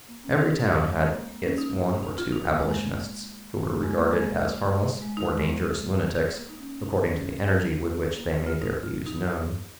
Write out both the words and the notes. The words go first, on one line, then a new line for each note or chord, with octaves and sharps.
Every town had its one or two abolitionists, who were regarded as harmless or dangerous lunatics, according to the energy with which they made their views known.
A#3
C#4
D#4
D#4
G#3
A#3
A#3
C#4
D#4
D#4
D#4
F4
D#4
A#3
G#3
A#3
G#3
A#3
G#3
G#3
D#4
G#3
A#3
D#4
C#4
D#4
C#4
A#3
F4
D#4
F4
D#4